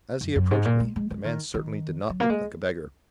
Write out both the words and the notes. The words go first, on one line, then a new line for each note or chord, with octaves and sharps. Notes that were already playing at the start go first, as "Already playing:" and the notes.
As he approached me, the man certainly did not look like a beggar.
F#2
F#2
G#2
A#2
G#3
G#3
G#3
D#3
D#3
F#3
A#3
G#3